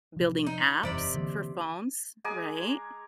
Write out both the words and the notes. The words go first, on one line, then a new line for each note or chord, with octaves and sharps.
building apps for phones, right?
C3 F3
D#4
E1 F#2 C3 E3 D5 B5
D3 E3 A#3
G#3 G#5 A#5 D6